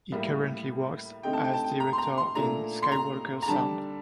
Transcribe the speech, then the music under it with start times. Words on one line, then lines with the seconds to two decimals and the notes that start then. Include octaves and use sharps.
He currently works as director in Skywalker Sound.
0.12 A2 G3 A#3
1.23 D3 A3 C4 D#4 G5
1.33 A5
1.44 G5
1.53 A5
1.64 G5
1.80 A#5
1.93 C6
1.98 A#5
2.18 C6
2.35 A#2 A3 D4 A#5
2.82 C6
2.92 A#5
3.42 A#5
3.47 D3 G3 D4 A5